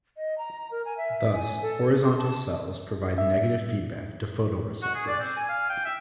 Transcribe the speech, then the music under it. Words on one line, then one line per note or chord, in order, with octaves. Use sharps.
Thus, horizontal cells provide negative feedback to photoreceptors.
D#5
A#5
A#4
G#5
E5
G#5
A4
C6
A5
E5
F#4
G#4
D5
C4
G#5
F5
G5
E5